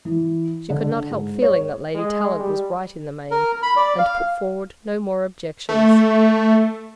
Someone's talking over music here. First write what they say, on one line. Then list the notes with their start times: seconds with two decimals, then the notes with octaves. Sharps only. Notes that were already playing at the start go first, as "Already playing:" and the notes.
She could not help feeling that Lady Tallant was right in the main, and put forward no more objections.
0.05 E3
0.70 D3
1.10 G#2
1.42 C#5
1.95 G#3
2.37 G3
3.31 A#4
3.62 B5
3.76 D5
3.98 F5
5.69 A3